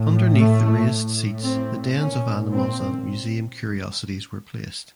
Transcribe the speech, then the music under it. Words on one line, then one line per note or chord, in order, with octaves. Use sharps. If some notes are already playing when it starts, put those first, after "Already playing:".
Underneath the raised seats the dens of animals and museum curiosities were placed.
Already playing: A2
A3
A2
C4
A#2 C#4
C4